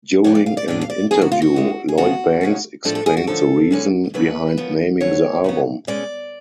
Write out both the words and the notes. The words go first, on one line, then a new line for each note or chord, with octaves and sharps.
During an interview Lloyd Banks explained the reason behind naming the album.
F2 F3 B3 D4 C#5
D5
F5
D5
A2 F3 G#3 B3 D4 D5
F5
D5
B2 F#3 B3 D4 G#4
F#4
F4
F#4
F2 D3 G#3
G#4
D2 C#3 F3 B3 F#4
C#3 G#3 C#4
A2 F3 A3 D4 A4
A4
G#4
F#4
F#2 D3 F3 A3 A4
D2 D3 G#3 C#4
C#3 F#3 A3 D4 B4
F#2 F3 B3
D2 D3 F#3 C#5
C#3 F#3 B3
B2 G#3 C#4 D5